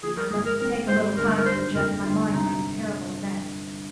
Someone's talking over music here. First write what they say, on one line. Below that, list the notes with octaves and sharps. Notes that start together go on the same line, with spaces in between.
I must take a little time to adjust my mind to these terrible events.
F3 G#4
A#4
G#1 G#4
A#4
C4 A#4
G#1 C5
G1 A#4
A#4
G1 C5
F2 A#4
G1 F4
C3 D#4